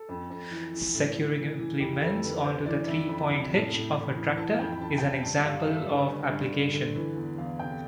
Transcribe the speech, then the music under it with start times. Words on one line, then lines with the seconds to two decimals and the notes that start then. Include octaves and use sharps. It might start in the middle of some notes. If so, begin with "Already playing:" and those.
Securing implements onto the three-point hitch of a tractor is an example of application.
Already playing: A4
0.09 F2
0.30 F2
0.51 E3
0.74 E3
0.94 A2
1.16 A2
1.38 E3
1.59 E3
1.80 F2 G4
2.02 F2 A4
2.23 D3 B4
2.44 D3 C5
2.66 E3 D5
2.87 F2 E5
3.09 F2 B5
3.31 C3 B5
3.52 A2 A5
3.73 A2
3.95 E3 B5
4.16 E3
4.38 E3 A5
4.59 F2 G5
4.72 B5
4.81 F2 A5
4.98 G5
5.02 C3 A5
5.23 G2 A5
5.45 G2 F5
5.67 D3 E5
5.88 D3 B4
6.10 G2
6.31 G2
6.53 D3
6.74 D3
6.95 E3 B4
7.17 E2
7.38 E2 F5
7.59 C3 G5